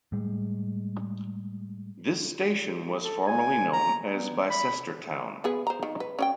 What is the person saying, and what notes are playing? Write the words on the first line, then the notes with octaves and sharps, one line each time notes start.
This station was formerly known as Bicester Town.
A2 G3 G#3
A4
G#5
A#5
B3
B5
B3 G#4 B4
C5 A#5
D#3
B4
C#4 D5 G5